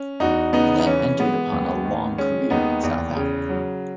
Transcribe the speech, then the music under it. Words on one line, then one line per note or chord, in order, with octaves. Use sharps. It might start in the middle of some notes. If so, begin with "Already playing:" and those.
He then entered upon a long career in South Africa.
Already playing: C#4
E2 D#4 F#4
C#3 B3 D#4
E3 C#4
G#3 B3
D#2
D#3
G#3 C#4
D#2 B3 D#4
E2
C#3
F#3